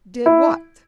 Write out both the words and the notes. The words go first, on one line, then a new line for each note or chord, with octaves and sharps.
"Did what?"
E4